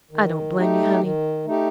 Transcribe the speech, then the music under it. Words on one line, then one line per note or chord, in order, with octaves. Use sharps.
I don't blame you, honey.
D#3
A3 D#4 G4
D#3
A3 D#4 G4